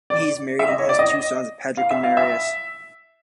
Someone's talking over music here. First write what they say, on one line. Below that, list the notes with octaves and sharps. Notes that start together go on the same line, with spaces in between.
He is married and has two sons, Patrick and Marius.
D5
E5
D#5
C#5
D5
D#5
F5
E5
F5
E5